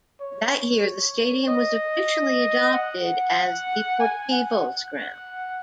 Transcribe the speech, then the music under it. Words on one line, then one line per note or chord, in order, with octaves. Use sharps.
That year, the stadium was officially adopted as Deportivo's ground.
C#5
D#5
F#5
G#5
F#5
F#5